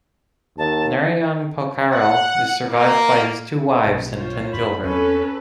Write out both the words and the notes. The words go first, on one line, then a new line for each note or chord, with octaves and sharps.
Narayan Pokharel is survived by his two wives and ten children.
D#2 A5
F#5
A#3
B1 B2 A#3
F4 C5 C#5
F#2 B5
E2 C4 C#4 A4 B4